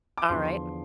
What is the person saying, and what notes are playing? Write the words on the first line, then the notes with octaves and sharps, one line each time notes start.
All right.
D6
E2 D3 F3 C6